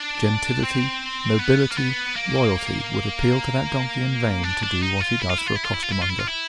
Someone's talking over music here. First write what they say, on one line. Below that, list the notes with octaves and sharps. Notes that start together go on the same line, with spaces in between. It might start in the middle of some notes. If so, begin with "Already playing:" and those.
Gentility, nobility, Royalty, would appeal to that donkey in vain to do what he does for a costermonger.
Already playing: D4
C4
B3
A#3
B3
A#3
D4
D4
D#4
F4
E4
F4
E4
F4
E4
F4
E4
F4
E4
F4
E4
F4
E4